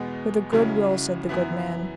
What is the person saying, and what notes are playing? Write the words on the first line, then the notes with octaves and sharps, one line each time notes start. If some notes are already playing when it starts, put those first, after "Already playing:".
With a good will, said the good man.
Already playing: E2 B2 G#3 B3
C#2 C#3 F#3 C#4 E4
F#2 E3 B3 E4